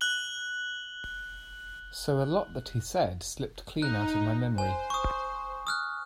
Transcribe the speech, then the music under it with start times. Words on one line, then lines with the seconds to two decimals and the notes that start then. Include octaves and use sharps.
So a lot that he said slipped clean out of my memory.
0.01 F#6 F#7 G7
3.82 D#4 F#6
4.58 C5 G#5
4.90 C#6 D#6
5.67 D#6 F6 F#6